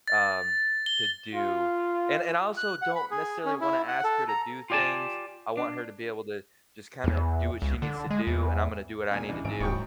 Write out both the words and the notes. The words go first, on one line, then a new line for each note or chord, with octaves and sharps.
um, to do and and I also don't necessarily wanna ask her to do things, I want her to be able to just kinda do what she needs to do and I'm gonna do what I need to do,
A6
G7
F4
F#6
F#5
B5
G#4
C#4
E4
F#5
A4
A#5
F4 G4 D5 G#5 A5
D4
E2
C#2
D3
G#3
E2
E1 E2 A#2 G#5
C#2 E3 D4
G#1 G#2 E3 D7
D#1 A#1 F#3 G5 C#6 D#6 C#7